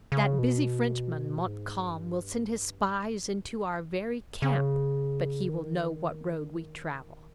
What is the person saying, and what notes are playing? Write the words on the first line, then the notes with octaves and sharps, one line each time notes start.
"That busy Frenchman, Montcalm, will send his spies into our very camp, but he will know what road we travel!"
C#3
B2
G#2
G2
G#2
C#3
D#3